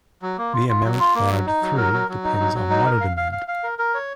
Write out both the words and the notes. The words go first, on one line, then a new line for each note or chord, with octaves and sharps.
The amount allowed through depends on water demand.
F#3
A#3
F4
F4
F#3
F4
A#3
F#3
D#4
F#3
A#4
F#3
F#3
D#4
F#3
F#3
D#4
A#4
F5
F5
F5
F5
A#4
A#4
C#5